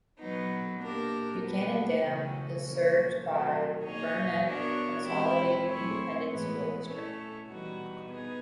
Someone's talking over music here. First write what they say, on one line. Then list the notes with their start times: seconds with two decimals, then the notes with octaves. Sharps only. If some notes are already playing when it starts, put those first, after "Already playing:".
Buchanan Dam is served by the Burnet Consolidated Independent School District.
0.20 F#3 B3 D#4
0.80 A#3 D4 G4 A#4
1.41 G3 B3 D4
2.02 C#3 E3 A3 C#4 F#4
2.62 F3 A#3 C#4
3.23 C3 D#3 F#3 A3
3.84 A#3 D#4 G#4 C#5
4.44 B3 D4 F#4 A#4 C#5
5.05 E3 G#3 C4 E4 G4
5.65 A3 C4 E4 G#4 C#5
6.26 A2 E3 G#3 B3
6.86 A3 C#4 E4 A4 C#5
7.47 E3 G3 B3 D#4 F#4
8.08 B3 D#4 G#4 B4